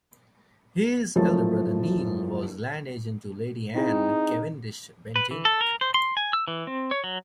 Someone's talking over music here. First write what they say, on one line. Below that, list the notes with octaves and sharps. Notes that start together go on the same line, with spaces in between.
His elder brother Neil was land agent to Lady Anne Cavendish-Bentinck.
F#1 F#2 F3 A3 C#5 A5
C4 D#4 E4 G#4
B4
E3
A4
A#4
C5
C6
G#5
E6
E3
C4
C#5
F#3